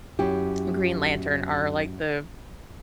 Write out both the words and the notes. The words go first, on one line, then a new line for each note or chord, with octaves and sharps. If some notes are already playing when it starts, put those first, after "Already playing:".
Green Lantern are, like, the,
F#2 E4 G4